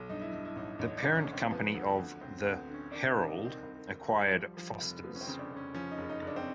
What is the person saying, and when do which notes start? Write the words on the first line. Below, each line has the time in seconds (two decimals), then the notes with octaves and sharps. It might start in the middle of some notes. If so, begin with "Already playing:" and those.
The parent company of the "Herald" acquired "Foster's".
Already playing: B1
0.09 G2 D#4
0.22 E4
0.32 G2 D#4
0.45 E4
0.56 A1 D#4
0.79 A1 D#4
0.98 D4
1.03 D3
1.15 C#4
1.27 D3
1.33 C4
1.50 F3 B3
1.74 D2
1.98 D2
2.21 D2 C4
2.39 B3
2.45 D2
2.56 C4
2.68 D3
2.74 C#4
2.92 D#3 D4
3.10 D4
3.15 C2
3.21 D4
3.27 D#4
3.39 D#3
3.45 C4
3.62 C2
3.86 D#3
4.09 G3
4.33 F3
4.57 F3
4.80 F1
5.04 F3 B3
5.15 C#4
5.21 C4
5.27 C#3
5.39 D4
5.50 F1
5.56 C#4
5.74 F3 C#4
5.91 D#4
5.98 F#1
6.09 D#4
6.22 F#1
6.27 D4
6.36 C4